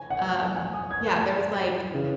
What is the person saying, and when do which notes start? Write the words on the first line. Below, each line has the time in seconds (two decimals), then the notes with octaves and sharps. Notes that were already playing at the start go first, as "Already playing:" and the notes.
Um, yeah, there was like,
Already playing: G#5
0.10 F#5
0.34 F#5
0.56 G#5
0.73 D#6
0.91 G#6
1.07 F#6
1.91 C#3 E3